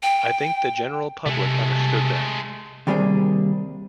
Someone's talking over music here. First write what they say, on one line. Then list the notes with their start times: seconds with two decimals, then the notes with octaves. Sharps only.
I think the general public understood that.
0.03 G5
1.26 C3 G#3 A3
2.87 D#2 C3 G3 A#3 G#4 C5